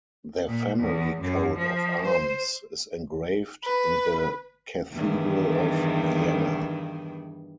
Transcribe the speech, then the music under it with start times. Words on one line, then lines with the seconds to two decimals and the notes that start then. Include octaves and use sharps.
Their family coat of arms is engraved in the Cathedral of Vienna.
0.49 A#2
0.79 E2
1.21 F#2
1.58 F3
2.06 C5
3.64 B4
4.92 E2 G2 D#3